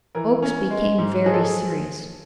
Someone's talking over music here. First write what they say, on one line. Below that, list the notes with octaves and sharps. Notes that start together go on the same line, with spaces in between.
Oakes became very serious.
E3 A#4
C#4
G#3
G#2
F3 G#4
A4
G#4